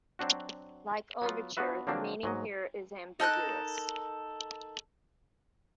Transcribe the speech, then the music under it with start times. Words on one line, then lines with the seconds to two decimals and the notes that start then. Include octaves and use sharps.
Like "Overture", the meaning here is ambiguous.
0.19 F#3 C4 D4 F#4
1.22 F#3 B3 F4
1.57 B3 D4 F4 F#4 B4 E5
1.87 D3 F3 F#3 A#3 C4 D4
2.23 G#2 F#3 D#5
3.20 D#4 A4 A#4 F#6